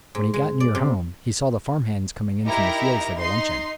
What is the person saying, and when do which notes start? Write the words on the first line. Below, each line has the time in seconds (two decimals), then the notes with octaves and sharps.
When he got near home he saw the farm-hands coming in from the fields for their luncheon.
0.15 G#2
0.34 G#3
0.60 D5
0.75 C3
2.45 D#4 E4 G4 A#4 A#5
3.18 D#4 C6 C7